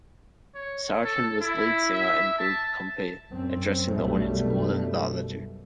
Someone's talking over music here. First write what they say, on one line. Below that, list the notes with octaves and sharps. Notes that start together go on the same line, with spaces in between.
Sartin was lead singer and group-compere, addressing the audience more than the other two.
C#5
A4
E4
E5
A5
F#2 C4
B1 F#2 B2 G3 A3